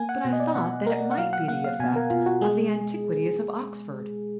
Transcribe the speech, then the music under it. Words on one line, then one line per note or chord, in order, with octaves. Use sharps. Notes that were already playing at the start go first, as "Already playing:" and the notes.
But I thought that it might be the effect of the antiquities of Oxford.'
Already playing: A#3 G#5
F#5
B2
D#5
D5
B2 F#5
A#3 A#4
F#5
F#3 F5
F#5
A#3 F#5
F5
B2 G#5
A#4
B2 F4
F#4
G#3 G#4